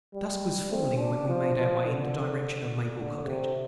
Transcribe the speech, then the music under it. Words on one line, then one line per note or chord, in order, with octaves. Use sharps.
DUSK was falling when we made our way in the direction of Maple Cottage.
G3
C4
D4
F3
F3
D3
D3
C3